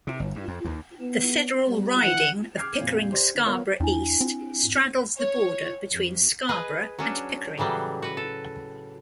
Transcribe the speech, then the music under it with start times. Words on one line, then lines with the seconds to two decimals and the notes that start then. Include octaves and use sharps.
The Federal riding of Pickering-Scarborough East straddles the border between Scarborough and Pickering.
0.07 C3
0.20 G1
0.36 G2
0.48 F2
0.64 D#2
1.01 B3
1.67 G3 B3
2.01 E3 F#5
2.57 D6 F6 G6 G#6 C7
2.81 F2 A#2
3.11 G4 C5 D5
3.35 D3
3.46 B3 F4 A#4 C#5
3.80 E2 D4 E4 G#5
4.21 C4
5.18 C#5
5.90 F2
6.49 G#4 B4 D#5
6.99 F#3 C#4 D4
7.58 A2 C#3 E3 F#3 G3
8.02 F#4 B4
8.17 A4